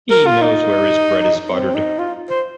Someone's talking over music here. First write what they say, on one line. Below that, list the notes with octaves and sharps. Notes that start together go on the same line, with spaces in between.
He knows where his bread is buttered.
A#4
F4
D#4
C4
D#4
F4
C5